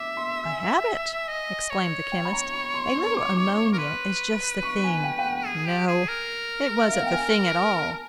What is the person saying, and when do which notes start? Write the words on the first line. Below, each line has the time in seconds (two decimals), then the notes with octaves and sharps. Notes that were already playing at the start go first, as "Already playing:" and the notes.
"I have it!" exclaimed the chemist,--"a little ammonia is just the thing!" No, it wasn't the thing at all.
Already playing: E5 D6
0.17 C6
0.45 G#5
1.28 D#5
1.70 C#5
2.12 G5
2.25 B5
2.33 A#5
2.54 C#6
2.74 C6
2.96 C#6
3.17 D6
3.36 D6
3.57 C#6
3.73 A#4
3.78 B4 C6
4.63 C#6
4.84 G#5
4.98 G#5
5.04 G5
5.19 G5
5.26 F#5
5.46 G#4
5.67 G4
5.88 G#4
6.08 A#4
6.84 E5
6.90 F5
6.98 F#5
7.06 G5
7.13 G#5
7.69 A5